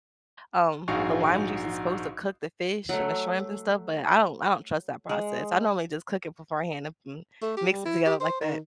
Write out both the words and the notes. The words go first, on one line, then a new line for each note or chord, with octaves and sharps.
um, the lime juice is supposed to cook the fish and the shrimp and stuff, but I don't I don't trust that process. I normally just cook it beforehand and f m mix it together like that.
A#1 G#2 F#4 G#4 F5 C#6
F#3 A3
G#3
A3
G4
G3
E4
G4
C5
D#3